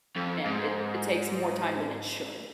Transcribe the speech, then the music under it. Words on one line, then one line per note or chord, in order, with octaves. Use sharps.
and it it takes more time than it should
F2
G#2